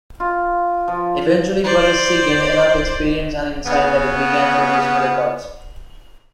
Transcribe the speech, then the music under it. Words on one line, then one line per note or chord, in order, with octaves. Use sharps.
Eventually Barresi gained enough experience and insight that he began producing records.
F4
F3
C5 D5
C#3 B3